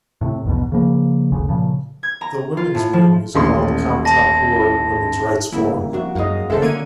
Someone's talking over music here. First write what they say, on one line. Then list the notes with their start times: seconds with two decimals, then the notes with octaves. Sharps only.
The women's wing is called Kamtapur Women's Rights Forum.
0.21 A2 C3
0.45 A#1 E2 G#2 B2
0.72 C#3 F3 A#3
1.32 G1 D2 C#3
1.49 A#2 C#3 F3
2.03 G#6
2.21 A#5
2.57 F4
2.75 A2
2.93 F3
3.34 D#1 A1 C6
4.05 A5 A#6
5.52 D2 C#3 G3 A#3 E4
5.93 F2 D4 F#4 E5
6.15 F#2 G#3 D#4 D#5 F5
6.50 G2 C#3 G#3 A4 C5 E5
6.62 D3 A#3 C#4 G#6 D#7